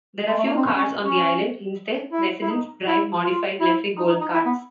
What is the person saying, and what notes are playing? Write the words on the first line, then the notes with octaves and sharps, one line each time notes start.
There are few cars on the island; instead, residents drive modified electric golf carts.
G#3
A3
A#3
C4
C#4
C#4
C#4
E4
E4
D#4
E4
F4
E4
D#4
D#4
D#4
E4
B3